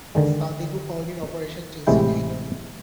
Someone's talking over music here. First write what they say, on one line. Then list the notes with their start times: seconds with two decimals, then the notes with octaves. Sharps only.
Sadiku called it Operation Chelsea Dagger.
0.15 D3 D#3 G#3
1.87 A1 A2 C3 G#3 E4 G5